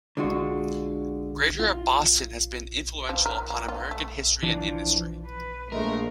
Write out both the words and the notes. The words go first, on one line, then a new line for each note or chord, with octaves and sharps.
Greater Boston has been influential upon American history and industry.
D3 G#3 F4 F#4
F4
F3
A#4
A#3
F4
A3
E3 F3 D4
B4
A#1 A#2 F3 G#3 A3 A#4